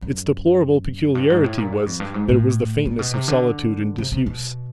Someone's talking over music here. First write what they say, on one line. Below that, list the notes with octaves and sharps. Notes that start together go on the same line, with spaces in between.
Its deplorable peculiarity was, that it was the faintness of solitude and disuse.
F#2
G2
G#2
A2
A#2
G2
F2
G2
G#2
A2
A#2
B2
C3
D3
C3
C3
B2